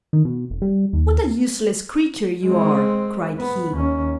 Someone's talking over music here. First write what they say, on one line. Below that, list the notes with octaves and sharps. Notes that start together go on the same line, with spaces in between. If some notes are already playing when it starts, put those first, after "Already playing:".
'What a useless creature you are!' cried he.
D#3
B2
F1
G3
D#2
G#3 C4
B3
D#2 C#4